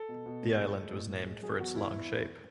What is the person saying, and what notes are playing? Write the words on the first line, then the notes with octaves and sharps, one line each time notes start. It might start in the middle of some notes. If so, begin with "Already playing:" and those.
The island was named for its long shape.
Already playing: A4
B2
B2
A2
G#3
G#3
A2
A2
G#3
F#3 G#4
E2 F#4
E2 E4
E2
E2